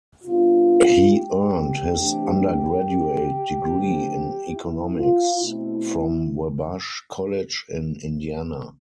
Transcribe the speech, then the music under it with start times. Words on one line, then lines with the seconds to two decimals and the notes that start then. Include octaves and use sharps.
He earned his undergraduate degree in Economics, from Wabash College in Indiana.
0.23 C3 G3 B3 D4 F4
1.09 G4
1.96 C3 E3 A3 D4
3.68 D3 F3 A3 C4
4.55 E4
4.98 F4
5.41 B2 A3 C4 E4